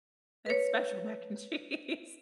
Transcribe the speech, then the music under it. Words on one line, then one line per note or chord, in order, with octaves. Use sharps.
It's special mac and cheese.
B4 C#5